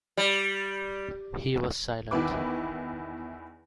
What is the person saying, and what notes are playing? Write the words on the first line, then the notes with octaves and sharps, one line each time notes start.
He was silent.
G3
E2 D#3 E4 B4 D6